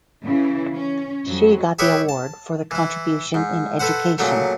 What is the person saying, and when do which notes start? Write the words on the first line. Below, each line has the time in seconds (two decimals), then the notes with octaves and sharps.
She got the award for the contribution in Education.
0.24 C#3 E3 E4
0.74 C#4
1.26 F2 F#3
1.79 G4 G#4 B4 C#5 E5 G#5
2.09 A5
2.71 E3 E4
3.34 G#2
3.79 A4 B4 C5 F#5
4.18 A#2 C#3 F#3 A3